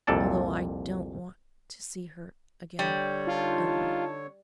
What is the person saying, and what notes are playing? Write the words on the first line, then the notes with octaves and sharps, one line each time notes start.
Although I don't want to see her again ever--.
C2 F2 A#2 A4 D5 A5
D3 G3 C#5
D#4 F4 A5